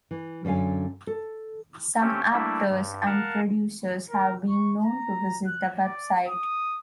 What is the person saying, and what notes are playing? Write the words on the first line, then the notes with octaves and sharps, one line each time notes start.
Some actors and producers have been known to visit the website.
E3
F#2 D3 C#4 F5 G#5
A4
A3 C4 C#4 G4
G3 A3 A#3 D4 E4
G2
A#4 F5 F#5 A5
A#4
C#6
A#5
F#6
D5
D#6